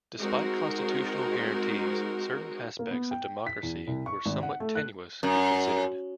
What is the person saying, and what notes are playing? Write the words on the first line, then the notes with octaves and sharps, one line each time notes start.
Despite constitutional guarantees, certain aspects of democracy were somewhat tenuous, he considered.
G#3 C4 D#4 F#4 A#4
A#3
B3
G5
B6
E2
C2
C#6
G#1
F#5
A3
F#6
F#2